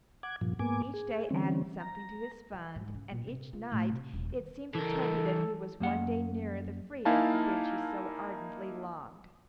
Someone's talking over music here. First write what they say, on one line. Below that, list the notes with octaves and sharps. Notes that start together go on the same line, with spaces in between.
Each day added something to his fund, and each night it seemed to Toby that he was one day nearer the freedom for which he so ardently longed.
F#5 D6 G#6
G2 A#2 F3
G#2 A#3 B3 G#5 D6
G#4
D3 E3 G3 C4 C#4
A#5
E3
G#2
C#3
A#2
C3
F4
A2
C3
D#1
D#3
E3 A4 A#4
F#2 A#3 F#5
A#3 D#4 E4 F5 G#5 A5